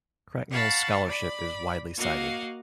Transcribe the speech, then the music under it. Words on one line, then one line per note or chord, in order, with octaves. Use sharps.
Cracknell's scholarship is widely cited.
F5 F#5 A5 B5 C#6
D5 B5
A#3 F#4 D#5 F5